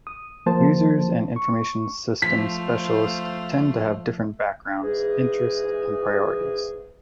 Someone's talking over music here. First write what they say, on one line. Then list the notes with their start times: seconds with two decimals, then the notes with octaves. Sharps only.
Users and information systems specialists tend to have different backgrounds, interests, and priorities.
0.07 D#6
0.46 F3 A#3 C5 A5
1.36 C#6
2.22 F3 A3 C5 F5 B6
4.82 G#2 E3 G#4